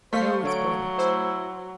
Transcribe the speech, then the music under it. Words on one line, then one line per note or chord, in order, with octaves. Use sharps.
No, it's boiling.
A3 C5 F5 B6 C7
D3 F#3 C#5 D7
E4 C5